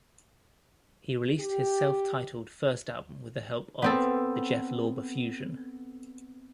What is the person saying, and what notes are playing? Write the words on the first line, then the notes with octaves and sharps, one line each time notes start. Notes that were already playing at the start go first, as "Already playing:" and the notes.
He released his self-titled first album with the help of The Jeff Lorber Fusion.
G4
B3 C4 A4